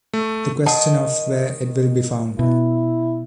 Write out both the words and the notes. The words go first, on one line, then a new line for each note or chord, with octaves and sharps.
The question of where it will be found.
A3
D#3 A#4 F#5 A5
B2 E4